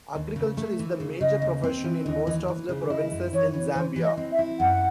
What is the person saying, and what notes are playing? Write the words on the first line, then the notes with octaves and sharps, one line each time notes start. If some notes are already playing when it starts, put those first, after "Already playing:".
Agriculture is the major profession in most of the provinces in Zambia.
D#2
C#3
A3
E3
C#3
C#3 D#5
D#2
C4
E3
D#2 D#5
E3
E3
C#3
E4 D#5
F#2
E3 C#5
E3
E3 C5
E3
D#5
C4
E5
E4
F#2 F#5